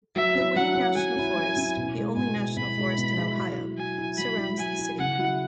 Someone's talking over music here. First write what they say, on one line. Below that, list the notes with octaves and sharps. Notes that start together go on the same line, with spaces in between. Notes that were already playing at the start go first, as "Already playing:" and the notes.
The Wayne National Forest, the only national forest in Ohio, surrounds the city.
F#3 E5
C#4 E4
F#3 F#5
C#4 E4
F#3 G#5
C#4 E4
F#3
C#4 E4
B2
G#3 E4
B2 G#5
G#3 E4
B2 B5
G#3 E4
B2
G#3 E4
F#3
E4
F#3 G#5
E4
F#3 B5
E4
F#3 G#5
E4
C#3 F#5
F#3 E4